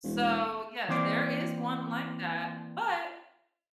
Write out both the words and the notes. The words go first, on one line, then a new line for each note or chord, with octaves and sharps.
So, yes, there is one like that, but
E1
E3 A#3 C4 C5 D5